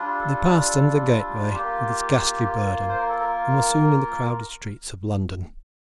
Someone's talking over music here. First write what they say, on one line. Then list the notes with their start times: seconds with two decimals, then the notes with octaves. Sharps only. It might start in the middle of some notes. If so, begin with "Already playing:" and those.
They passed under the gateway, with its ghastly burden, and were soon in the crowded streets of London.
Already playing: G3 D4 F4
0.20 A4
1.54 A#3 F4 G4
2.89 C5
2.99 A#4
3.09 A4
3.20 A#4